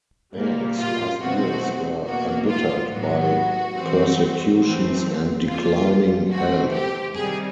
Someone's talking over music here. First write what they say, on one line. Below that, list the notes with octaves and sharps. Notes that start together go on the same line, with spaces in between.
Bang's last years were embittered by persecutions and declining health.
A#2 G3 A#3
F4
B2 F#3 A3 C4 F#4
B2 F#3 A#3 F#4
F4
A2 F#3 B3 F#4
E3 G3 C4
E3 A3 C4
A#2 G3 A#3 F4
E3 A3 C4 F#4
G4
C3 D#3 G3 G#4